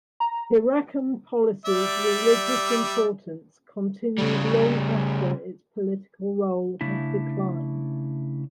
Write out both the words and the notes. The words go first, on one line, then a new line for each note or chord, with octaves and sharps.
Hierakonpolis’s religious importance continued long after its political role had declined.
A#5
G3 D5 E5
C#3 G3
C#3 A3 D4 E4